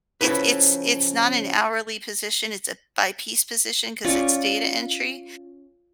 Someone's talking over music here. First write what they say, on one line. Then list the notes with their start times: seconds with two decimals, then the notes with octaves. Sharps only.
It it's it's not an hourly position, it's a by-piece position 'cause it's data entry,
0.21 C#3 F3 E4 B4
4.04 C#4 F4 C#5 D5